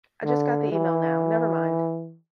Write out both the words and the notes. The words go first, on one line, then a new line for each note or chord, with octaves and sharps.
I just got the email now, never mind!.
D3
E3